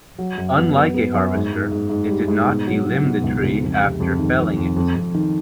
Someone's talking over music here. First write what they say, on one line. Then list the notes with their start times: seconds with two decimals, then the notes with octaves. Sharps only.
Unlike a harvester, it did not delimb the tree after felling it.
0.18 F#3
0.37 F#2
0.57 B3
0.76 B3
0.94 B3
1.14 F#2
1.33 G#2
1.53 G#2
1.72 G#2
1.90 G#2
2.10 G3
2.28 G#2
2.47 B2
2.67 F#3
2.86 F#3
3.05 B2
3.24 C#2
3.43 C#2
3.62 F2
3.81 C3
4.00 F2
4.19 D#3
4.39 F2
4.57 F2
4.76 F2
4.95 F2
5.14 D#3